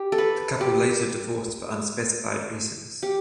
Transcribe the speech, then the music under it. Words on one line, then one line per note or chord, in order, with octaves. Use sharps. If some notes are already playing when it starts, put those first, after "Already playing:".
The couple later divorced for unspecified reasons.
Already playing: G4
A4
B4
G4
G4